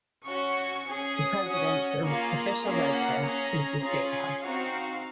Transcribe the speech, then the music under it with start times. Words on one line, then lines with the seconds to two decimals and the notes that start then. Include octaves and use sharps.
The President's official residence is the State House.
0.23 C#4 F#4 C#6
0.84 C#4 G#4
1.13 D#6
1.42 C#4 F#4
2.02 A#3 F4 G#4 C#6
2.33 A#5
2.61 A#3 C#4 F4 G#4
2.92 F#5
3.21 C#4 G#4 A#5
3.81 C#4 F4 G#4
4.11 G#5
4.40 C4 D#4 F#4 F5